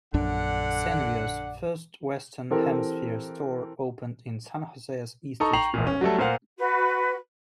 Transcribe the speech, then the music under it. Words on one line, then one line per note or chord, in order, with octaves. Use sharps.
Sanrio's first Western Hemisphere store opened in San Jose's Eastridge Mall.
A#1 F#2 D3 D4 D5 F#5
E3 C4 G4 A4 A#4
D#4 A4 A#5 C#6
G5 A#5 C#6 C7 F7 F#7
E1 A#2
C#4
F#3 G3 A3 A4
A#2 A#4 C5 F5 F#5
F#4 B4